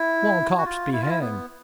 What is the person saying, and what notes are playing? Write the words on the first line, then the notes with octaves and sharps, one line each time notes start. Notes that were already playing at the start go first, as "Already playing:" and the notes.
Small cops be hanged!
Already playing: E4
F#4
F4
E4
F4
E4
B3